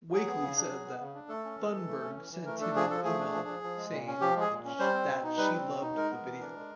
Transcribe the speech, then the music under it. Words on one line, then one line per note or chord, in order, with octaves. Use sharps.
Wakely said that Thunberg sent him an email saying that she loved the video.
F#3 G#4
B3
C#3
D4
F#3
B3
C#3
D4
A3 A4
C#4
E3
E3
A3
C#4
E3
E3
A3 A#4
D4 A4
F3 G#4
F3 A4
A3 G#4
D4
F3
F3
F3
G#3
A#2
C#4
F3 G4
G#3 G#4
A#2
C#4
G3 C5
C4
B2
D#4
G3 B4
C4
B2
D#4
G#3 A#4
B3
E3
D4
G#3